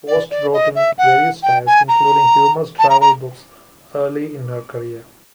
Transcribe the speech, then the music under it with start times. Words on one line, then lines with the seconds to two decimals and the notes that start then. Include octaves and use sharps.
Post wrote in various styles, including humorous travel books, early in her career.
0.08 D5
0.31 D5
0.53 D#5
0.75 E5
0.98 F#5
1.43 G5
1.66 G#5
1.88 A#5
2.79 A5
2.90 A#5
3.01 A#5